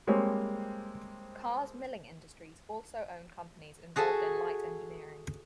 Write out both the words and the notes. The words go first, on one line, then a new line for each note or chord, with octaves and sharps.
Carr's Milling Industries also own companies involved in light engineering.
G3 G#3 A#3 C4 C#5
F#4 G#4 A4 E5